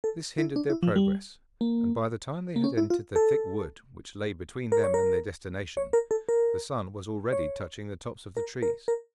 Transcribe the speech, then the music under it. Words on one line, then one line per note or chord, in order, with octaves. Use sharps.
This hindered their progress, and by the time they had entered the thick wood which lay between them and their destination the sun was already touching the tops of the trees.
A4
E4
D4
E4
F3
G3
A#3
A#3
C#4
E4
F4
A4
A#4
C#5
A#4
C#5
A#4
A4
A#4
C#5
A#4
A#4
A#4